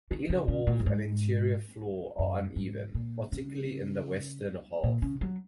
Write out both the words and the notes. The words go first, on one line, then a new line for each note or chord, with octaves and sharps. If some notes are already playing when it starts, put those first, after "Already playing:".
The inner walls and interior floor are uneven, particularly in the western half.
D#3
C#3
C#3
A#2
F#2
G#2
F#2
G#2
A#2
C#3
A#2
C#3
F#3